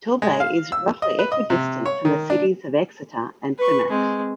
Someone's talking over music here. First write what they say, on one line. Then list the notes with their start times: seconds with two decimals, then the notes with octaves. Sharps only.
Torbay is roughly equidistant from the cities of Exeter and Plymouth.
0.22 G#3
0.40 F5
0.72 E6
1.02 D#5
1.19 B4
1.32 D#5
1.50 C3
1.86 C#5
2.05 D#3
2.30 D4
3.58 B4 C#6
3.89 G#3 C4